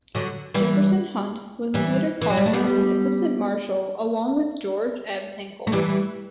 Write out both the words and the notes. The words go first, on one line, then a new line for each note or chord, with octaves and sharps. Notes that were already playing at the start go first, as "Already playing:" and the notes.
Jefferson Hunt was later called as an Assistant Marshall along with George M. Hinkle.
D3 F#3
E3 G3
E3 G3
E3
F#3
G3
A3
G3 B3
A3
E3 G3